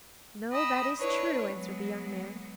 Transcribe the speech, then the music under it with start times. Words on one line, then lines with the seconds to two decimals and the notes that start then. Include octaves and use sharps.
'No; that is true,' answered the young man.
0.51 D#5 G5 B5 E6
0.97 D4 E4 B4 C#5
1.52 F#3 G#3 B3